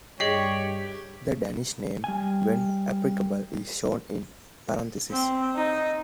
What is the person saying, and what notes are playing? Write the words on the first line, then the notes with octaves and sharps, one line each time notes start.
The Danish name, when applicable, is shown in parentheses.
G2 G3 G4 G#4 C#5 D#5 C7
G3 G#5
C4
D#4